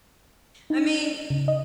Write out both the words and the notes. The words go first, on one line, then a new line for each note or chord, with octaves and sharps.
I mean,
D#4
C#3
D#5